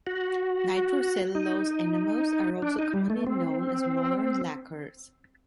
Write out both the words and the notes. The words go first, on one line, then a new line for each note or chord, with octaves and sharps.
Nitro-cellulose enamels are also commonly known as modern lacquers.
F#4
D#4
D4
D#4
G3
A3
C4